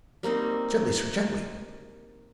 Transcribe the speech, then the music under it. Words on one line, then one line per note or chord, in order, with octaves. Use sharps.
Gently, sir, gently!
G3 A#3 C4 D#4